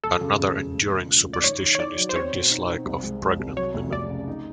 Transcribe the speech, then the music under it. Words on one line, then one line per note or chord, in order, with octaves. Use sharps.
Another enduring superstition is their dislike of pregnant women.
E1 A4
C#3
E1
E1
A3
C#3
F3
A3
D5
D#3 C#5
D#3
C#5
D#3 D5
F#3
C5
C4 C#5
B2
D#4
C4
C2
G#3
G#3
C2
F#3 C#5
F1
F1 D5
C#3
D#4